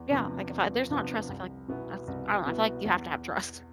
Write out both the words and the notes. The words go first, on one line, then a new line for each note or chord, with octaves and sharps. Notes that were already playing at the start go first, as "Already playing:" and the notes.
Yeah, like if I if there's not trust, I feel like that's I don't know, I feel like you have to have trust.
Already playing: E2
C3 F3 B3 D4
E2
C3 F3 B3 D4
C2
B2 B3 E4
C2
B2 B3 E4
E2